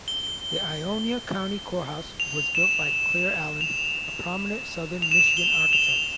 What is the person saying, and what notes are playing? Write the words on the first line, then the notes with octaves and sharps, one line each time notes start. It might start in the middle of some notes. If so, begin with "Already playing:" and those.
The Ionia County Courthouse was built by Claire Allen, a prominent southern Michigan architect.
G7
F7
E7
F7
F7
E7
F7
G7
F7